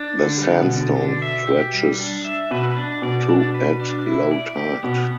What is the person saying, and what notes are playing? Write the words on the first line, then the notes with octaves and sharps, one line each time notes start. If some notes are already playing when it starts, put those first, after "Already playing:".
The sandstone stretches to at low tide.
Already playing: D4
D3
G3
B3
B2
D3
B2
D4
E5
G4
G3
D4
E5
B2 B4
D4
B2 D5
D4
B4
D4
E4
D5
G4
B2 B3